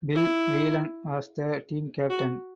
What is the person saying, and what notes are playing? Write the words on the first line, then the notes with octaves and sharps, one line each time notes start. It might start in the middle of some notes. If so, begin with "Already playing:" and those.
Bill Whelan was the team captain.
E4
F#4